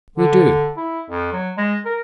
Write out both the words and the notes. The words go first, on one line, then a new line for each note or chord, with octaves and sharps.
"We do."
D3
E4
F2
F#3
G#3
A#4